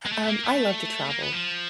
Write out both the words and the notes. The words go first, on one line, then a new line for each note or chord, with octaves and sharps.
Um, I love to travel.
G#3
A3
B3
A#3
A3
A#3
B3
F3